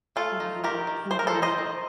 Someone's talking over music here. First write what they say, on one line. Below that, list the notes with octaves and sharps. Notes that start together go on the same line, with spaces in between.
Mhm, mhm.
A3 F4 A4
D#4
D#3 G4 A#4
D#3
A3 C5
A#4
A4 C5
D#4
C5 D#5
D#3